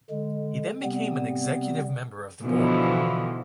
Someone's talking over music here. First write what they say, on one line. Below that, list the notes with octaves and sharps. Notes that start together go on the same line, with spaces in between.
He then became an executive member of the board.
D3 G#3
C3 G3 B3 C4
B2 D3 E3 F3